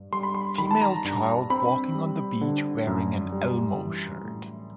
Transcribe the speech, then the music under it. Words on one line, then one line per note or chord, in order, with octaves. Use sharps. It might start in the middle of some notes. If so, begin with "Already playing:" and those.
Female child walking on the beach wearing an elmo shirt.
Already playing: G2
G3 C6
B5
C6
D#3 B5
A5
A#5
G2
C4 B5
G3
D3
F#2
G3
E3
A2